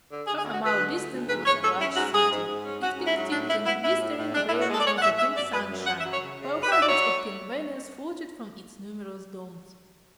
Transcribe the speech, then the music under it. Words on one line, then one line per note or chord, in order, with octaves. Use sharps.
Half a mile distant was a large City, its pink tintings glistening bravely in the pink sunshine, while hundreds of pink banners floated from its numerous domes.
D3
D3 G#4
G#4
D2
F#4
D2 B4
D3
D2
D2
G#2 B4
G#2 C#5
C#4 A4
C#4 E4
G#2 F#4
G#2 G#4
G#2
G#2
C#4
C#4 F#4
G#2
E4
F#3
A2 D4
A2 E4
B3 E4
A2 E4
A2
A2
G#3 D4
E4
A2
F#4
G#3 A4
D5
G#3 C#5
F#5
A2 E5
G#3 E5
F#2 D5
F#2 B4
F#2
F#2 F#5
E5
F#3
C#5
C#3
C#3
F#2
B4
F#2 E5
D5
F#3 C#5